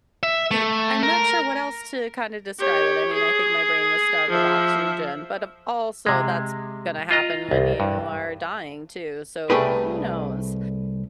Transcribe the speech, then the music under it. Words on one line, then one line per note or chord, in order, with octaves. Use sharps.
eh e uh I'm not sure what else to kinda describe it, I mean, I think my brain was starved of oxygen, but of also that's gonna happen when you are dying, too, so who knows?
E5
A3
A#4
G4 C#5
G#4
F3 E5
C3 G#3
F4 D#5 A#5
C2
G2
C2 A3 G4 G#4 B4